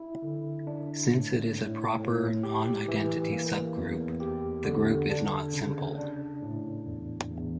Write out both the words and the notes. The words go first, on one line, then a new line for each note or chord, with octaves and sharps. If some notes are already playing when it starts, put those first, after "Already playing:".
Since it is a proper, non-identity subgroup, the group is not simple.
Already playing: E4
D3
D4
A2
A2
A2
G4
E3
A#3
E2
G4
D3
D4
C#3
D4
A2
E2
E2